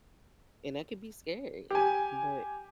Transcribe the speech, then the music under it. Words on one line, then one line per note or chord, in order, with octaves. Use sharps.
and that could be scary, but,
G4 G#5